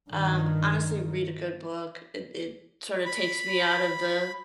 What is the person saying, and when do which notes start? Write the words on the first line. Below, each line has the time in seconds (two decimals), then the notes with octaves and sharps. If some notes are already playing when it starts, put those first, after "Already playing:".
um, honestly, read a good book. It it, sort of, takes me out of the
0.10 G2 D#3
3.05 B5